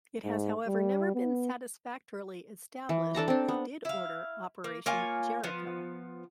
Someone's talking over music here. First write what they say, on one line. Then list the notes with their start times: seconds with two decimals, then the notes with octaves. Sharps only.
It has however never been satisfactorily established who did order Operation Jericho.
0.24 G#2
0.67 G3
1.14 B3
2.89 E3
3.15 D4 A4 A5 A#5
3.28 C4 D4
3.48 B3
3.85 E4 F5
4.64 A#3
4.86 A#3 F4 C#5 G#5
5.44 F3 B3